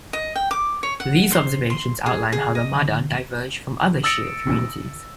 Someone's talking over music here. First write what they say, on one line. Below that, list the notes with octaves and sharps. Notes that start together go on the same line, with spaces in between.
These observations outline how the Madan diverge from other Shia communities.
D#5
G5
D6
C#5
F#5
C5
C6
G#4
G#4
D#5
D#6 E6 A6 A#6 C#7 D7